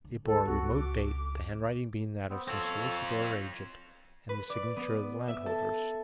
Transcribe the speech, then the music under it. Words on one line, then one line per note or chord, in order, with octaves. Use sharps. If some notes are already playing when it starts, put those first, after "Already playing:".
It bore a remote date, the handwriting being that of some solicitor or agent, and the signature the landholder's.
D3
D2 G2 A4
C#2 C4 F#4
D6
B3 C4
C4 F4 A4 C#5
C#5
B4
D5
B3
E5
A4